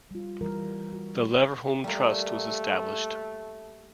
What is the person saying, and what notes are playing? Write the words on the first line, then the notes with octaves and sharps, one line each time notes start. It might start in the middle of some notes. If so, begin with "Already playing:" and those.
The Leverhulme Trust was established.
G3 F4
E3 G3 A#4
F#4
G3 A3 A#3